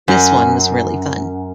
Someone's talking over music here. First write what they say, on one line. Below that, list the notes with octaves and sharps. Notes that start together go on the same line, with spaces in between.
This one was really fun.
F#2